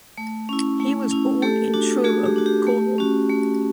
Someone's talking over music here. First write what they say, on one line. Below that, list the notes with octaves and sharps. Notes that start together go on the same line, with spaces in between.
He was born in Truro, Cornwall.
A3
C#4 E4
A3
C#4 E4
A3 G4 A4
D4 F#4
A3 F#4 G#4
G4
D4 F#4
G4
A3
C#4 F#4
A3